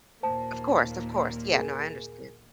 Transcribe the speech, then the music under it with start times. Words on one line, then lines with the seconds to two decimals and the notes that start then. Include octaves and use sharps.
Of course, of course, yeah, no, I understood.
0.23 D#2 A#2 A#3 C5 A5
1.52 G#4 A#4 G#5